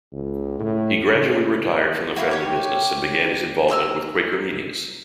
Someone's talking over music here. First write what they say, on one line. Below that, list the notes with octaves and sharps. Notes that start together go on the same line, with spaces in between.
He gradually retired from the family business and began his involvement with Quaker meetings.
C#2
A2
C#3
A#3 C4 E4 F#4
G4 C#5
A#5 C6 E6 F6